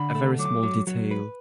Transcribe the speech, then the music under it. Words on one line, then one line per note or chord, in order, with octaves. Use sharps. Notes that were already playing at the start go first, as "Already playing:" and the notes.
A very small detail.
Already playing: D3 B5
A3
F#3 D6
F#3
F#3
B4